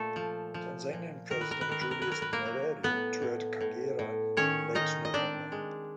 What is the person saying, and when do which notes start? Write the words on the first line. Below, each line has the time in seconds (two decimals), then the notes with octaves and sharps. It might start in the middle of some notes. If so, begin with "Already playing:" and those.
Tanzanian President Julius Nyerere toured Kagera in late November.
Already playing: A#2 A3 A4
0.16 F3
0.54 F3
0.93 A#2
1.30 D#3 A#4
1.41 B4
1.51 A#4
1.61 B4
1.69 D#3 A#4
1.81 B4
1.91 A#4
2.02 B4
2.07 F#3 A#4
2.22 B4
2.33 A#3 A#4
2.45 F#3
2.83 A2 B3 B4
3.22 A2
3.61 A2
3.99 A2
4.37 D#3 C#4 C#5
4.75 D#3 D#4 D#5
5.05 D#5
5.13 C4 D4 D5
5.52 G#3